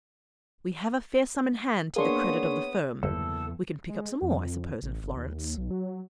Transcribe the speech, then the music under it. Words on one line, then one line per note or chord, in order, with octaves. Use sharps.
We have a fair sum in hand to the credit of the firm; we can pick up some more, I suppose, in Florence.'
A#3 B3 D4 G#4 C#5 C6 C#6 D#6
G1 E2 C#3 F#3 A#3 A4
G#3
F2
A1
G1
D#2
B1
F#3